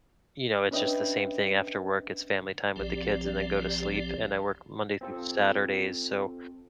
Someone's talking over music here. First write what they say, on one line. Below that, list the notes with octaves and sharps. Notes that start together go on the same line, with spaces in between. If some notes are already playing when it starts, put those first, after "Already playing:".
you know, it's just the same thing after work, it's family time with the kids and then go to sleep, and I work Monday through Saturdays so,
C#4 D4 B4 D#5 E5 G5
A#1 F3 C4 G4 D5
C4 F4 A4